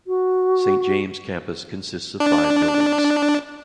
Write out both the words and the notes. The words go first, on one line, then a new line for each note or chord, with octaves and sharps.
Saint James campus consists of five buildings.
F#4
D4